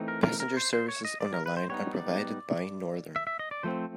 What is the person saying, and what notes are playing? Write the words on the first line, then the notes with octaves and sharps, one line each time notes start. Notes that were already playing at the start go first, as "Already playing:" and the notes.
Passenger services on the line are provided by Northern.
Already playing: E3 A3 C4 D#4
A#4
A#4
A#4
C5
C5
C#5
D#5
D5
A#4
B4
C5
G3 B3 D#4 C#5
D5
E5
E5
D#5
D5
F3 A3 C4 C5